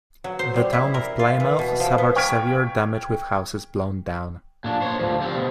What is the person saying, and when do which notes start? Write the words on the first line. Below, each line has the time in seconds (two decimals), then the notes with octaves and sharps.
The town of Plymouth suffered severe damage with houses blown down.
0.24 F#3
0.39 C5
0.56 G3
0.73 E4
0.94 A#4
1.19 F4
1.40 E3
1.59 B2
1.80 F3
1.98 B3
2.16 G5 C#6 F6 G#6 B6 D7
4.64 A#2 D4
4.81 C5 C#5
4.99 D2 F3
5.22 G3 C4
5.36 B2